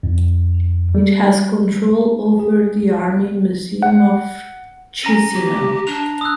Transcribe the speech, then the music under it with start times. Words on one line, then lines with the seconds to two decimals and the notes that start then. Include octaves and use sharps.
It has control over the Army Museum of Chisinau.
0.03 F2
0.95 G3
2.40 G#4
3.82 F#5
5.04 C#4 A#5 A#6 D#7
5.33 G4
5.87 D4 F7
6.21 D#6 E6 F#6